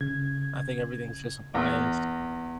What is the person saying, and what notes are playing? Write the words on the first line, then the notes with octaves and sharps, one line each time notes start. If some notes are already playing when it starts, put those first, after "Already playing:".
I think everything's just a bias.
C#3 G#6
E2 A#6